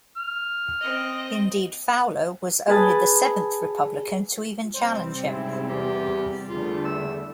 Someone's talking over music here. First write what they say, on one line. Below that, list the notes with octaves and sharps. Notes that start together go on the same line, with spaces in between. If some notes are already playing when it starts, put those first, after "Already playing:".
Indeed, Fowler was only the seventh Republican to even challenge him.
F6
C4 D#5
G#4 B4 A5
C3 G3 C4 C5
G#2 C#3 E4
E2 G4
E2 D3 A3 F4
E6